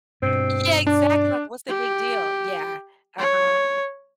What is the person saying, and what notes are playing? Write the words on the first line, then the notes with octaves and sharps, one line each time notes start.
Yeah, exactly. Like, "What's the big deal?" Yeah. Uh-huh.
G2 B2 C4
D4 D5
G4
C#5